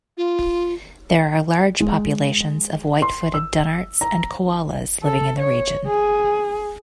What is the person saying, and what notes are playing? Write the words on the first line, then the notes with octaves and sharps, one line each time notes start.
There are large populations of white-footed dunnarts and koalas living in the region.
F4
G#3
C6
E6
A#5
A4
C#5
G#4